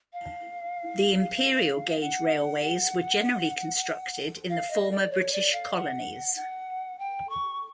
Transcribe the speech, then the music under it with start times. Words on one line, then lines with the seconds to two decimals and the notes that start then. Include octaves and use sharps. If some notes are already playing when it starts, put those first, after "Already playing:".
The imperial gauge railways were generally constructed in the former British colonies.
0.13 F5
2.00 F#5
4.50 F5
4.71 D#5
4.91 D5
5.11 C#5
5.33 D5
5.53 F5
5.74 F#5
6.36 F#5
6.99 G5
7.30 C#6